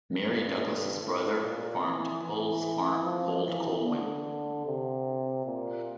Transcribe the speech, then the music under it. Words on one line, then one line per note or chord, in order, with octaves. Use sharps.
Mary Douglas's brother farmed Peulws farm old Colwyn.
G2
A2
A#2
E3
E3
F3
E3
D3
C3
A#2